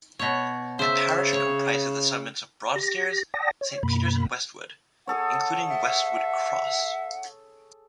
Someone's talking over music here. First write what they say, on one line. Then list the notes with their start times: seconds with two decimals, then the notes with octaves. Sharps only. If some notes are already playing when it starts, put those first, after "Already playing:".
The parish comprises the settlements of Broadstairs, Saint Peter's and Westwood, including Westwood Cross.
0.19 B2 C#5
0.79 C#3 C5 E5
1.33 C#5
2.76 G4 A#6
3.34 D5 F#5 G5 A5 D#6 A#6
3.61 C#5
3.83 F#2 B2 A#3 B5
5.07 G#4 A4 C#5 F#5
5.70 E5